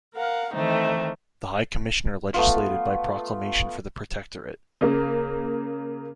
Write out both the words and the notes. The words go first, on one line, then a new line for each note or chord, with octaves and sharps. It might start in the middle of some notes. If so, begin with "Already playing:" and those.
The High Commissioner legislated by proclamation for the protectorate.
A#4 F5 F#5
D#3 E3 A3 C4 D#4
A3 B3 F4
C#3 A#3